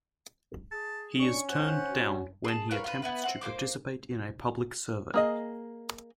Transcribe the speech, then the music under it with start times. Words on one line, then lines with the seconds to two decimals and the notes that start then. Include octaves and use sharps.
He is turned down when he attempts to participate in a public survey.
0.71 G#4 A5
1.20 C#4 D4 C#6
1.49 E3 C5 F#5
1.91 F#4
2.44 G#4 A5
2.71 A#4 B4 C#5 F5
2.84 F4 B4
3.02 B3 E4 B4
3.23 C4 F#5
3.41 A#3 B3 C5 D6
5.14 A#3 G#4 D#5